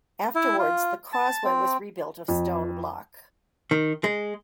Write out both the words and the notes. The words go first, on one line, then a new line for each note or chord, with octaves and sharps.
Afterwards, the causeway was rebuilt of stone block.
E4
F4
A5
C4
F2
D#3
G#3